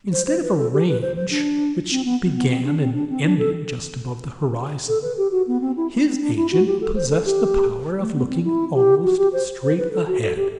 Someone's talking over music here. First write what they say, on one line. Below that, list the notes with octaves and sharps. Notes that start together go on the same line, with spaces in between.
Instead of a range which began and ended just above the horizon, his agent possessed the power of looking almost straight ahead.
C5
C5
B4
A4
G4
B4
C5
C5
D4
C4
B3
B3
C4
D4
C4
D4
C4
D4
A4
A4
B4
G4
F#4
B3
C4
E4
C4
D4
E4
F#4
G4
A4
C5
A4
G4
A3
B3
C4
E4
G4
F#4
G4
C5
C5
B4
A4
F#4
A4
G4